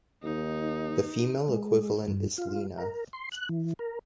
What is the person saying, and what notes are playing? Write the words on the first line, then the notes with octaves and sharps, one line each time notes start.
The female equivalent is Lina.
D#2 D#4
G#3
G2
F4
A#4
C6
F#6
E3
A#4